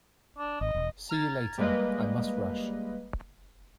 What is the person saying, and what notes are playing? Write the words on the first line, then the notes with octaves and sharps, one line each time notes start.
See you later. I must rush.
D4
G#1 D#5
E1
A#5 F6 G#6 A6
G3 G#3 A#3 B4 D#5